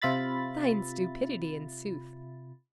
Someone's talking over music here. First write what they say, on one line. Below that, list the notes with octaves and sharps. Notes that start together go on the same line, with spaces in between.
Fine stupidity, in sooth!
C3 F4 E5 B5 A6